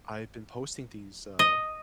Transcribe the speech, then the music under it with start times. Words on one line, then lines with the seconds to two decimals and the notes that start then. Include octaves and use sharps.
I've been posting these, uh,
1.39 D#5